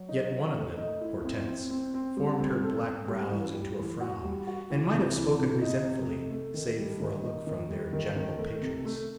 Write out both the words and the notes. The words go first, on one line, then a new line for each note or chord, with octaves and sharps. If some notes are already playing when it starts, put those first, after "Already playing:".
Yet one of them--Hortense--formed her black brows into a frown, and might have spoken resentfully, save for a look from their general patroness.
Already playing: F#3
D#4
D#4
A3
D#4
E4
C4
C4
C4
C4
G3
C4
A4
B3
G3
E3
G3
E3
F#4
G3
F#4
E3
C3
E3
C3
D#4
C3
A3
A3
D#3
G3
D#3
D#4
D#3
G3
D#3
D#3
A3
C3
A3